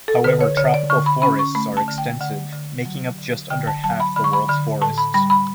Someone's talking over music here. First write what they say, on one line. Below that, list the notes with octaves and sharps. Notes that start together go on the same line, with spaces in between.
However Tropical Forests are extensive, making up just under half the world's forests.
A4
D3 B4
C#5
D3 C#5
D5
D3 C#6
B5
C#4 B5
C#6
A3 B5
A5
D3
G5
D3 F#5
D3
F#3
D3
D3 G5
A5
F#3 A5
B5
D3 B5
C#6
B5
D3 B5
A2 A5
B5
G3 B5
B5